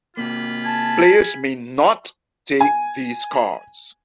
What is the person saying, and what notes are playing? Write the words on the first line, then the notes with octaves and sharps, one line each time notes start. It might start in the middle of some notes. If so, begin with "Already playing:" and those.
Players may "not" take these cards.
C3 A#3 F4 G#4 B5
G#5 A5
G#5